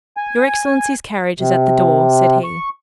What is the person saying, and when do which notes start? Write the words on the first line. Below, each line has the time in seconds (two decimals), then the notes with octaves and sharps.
"Your excellency's carriage is at the door," said he.
0.17 G#5
1.40 C3
2.44 C#6